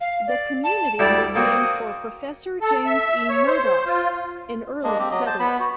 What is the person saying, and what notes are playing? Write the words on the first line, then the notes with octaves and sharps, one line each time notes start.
The community was named for Professor James E. Murdoch, an early settler.
F5
D5
A5
D2 G3 E4 D5
A#3 C4 F#4 D#6
A4
E5
C#5
C5
F4
G#3 A#3 D4 D#5
C4 G4
F#3 D#5
C5 A5
B3 B5
F#4